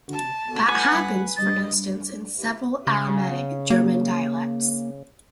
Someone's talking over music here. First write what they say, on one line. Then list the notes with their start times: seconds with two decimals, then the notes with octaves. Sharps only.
That happens, for instance, in several Alemannic German dialects.
0.13 A5
0.69 B4 F#5 G#5
1.37 D#5 A6
2.87 C#3
3.70 A#3